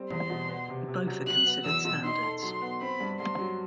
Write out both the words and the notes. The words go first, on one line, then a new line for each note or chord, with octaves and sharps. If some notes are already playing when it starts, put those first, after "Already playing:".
Both are considered standards.
Already playing: G3 A3 C4
E2 C6
B2
B3
C3
C3
F#3
F#3 F#6
B3
E2 E6
B2
D#4 C6
A4
F#3 C6
B3
C4 B5
G2
G2 C6
F#3